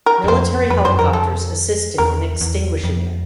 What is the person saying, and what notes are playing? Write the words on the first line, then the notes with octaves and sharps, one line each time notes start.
Military helicopters assisted in extinguishing it.
A#4
F#2
F2 C5
F2 B4
F#2 C5
F2 A#4
A4
E2 A#4
E2
F2